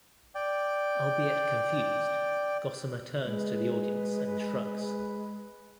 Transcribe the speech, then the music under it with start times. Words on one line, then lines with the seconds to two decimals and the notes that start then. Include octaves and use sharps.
Albeit confused, Gossamer turns to the audience and shrugs.
0.35 D5 G5
3.24 G#3 G#4 B4